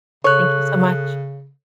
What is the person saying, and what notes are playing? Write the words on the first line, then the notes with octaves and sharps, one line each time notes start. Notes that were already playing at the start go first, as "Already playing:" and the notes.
Thank you so much.
C#3 A4 C#5 F#6